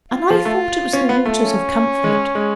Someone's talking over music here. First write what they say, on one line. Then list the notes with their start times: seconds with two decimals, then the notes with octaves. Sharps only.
And I thought it was the waters of comfort.
0.14 F4
0.30 F3
0.45 A3
0.93 C#4
1.09 B3
1.26 A3
1.41 C#4
2.04 G#3
2.35 G#3